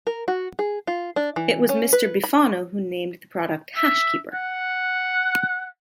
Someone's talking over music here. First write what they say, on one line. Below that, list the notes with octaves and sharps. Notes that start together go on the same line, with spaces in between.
It was Mr. Bifano who named the product HashKeeper.
A#4
F#4
G#4
F4
D4
E3
C#4
B4
B5
E5
F#5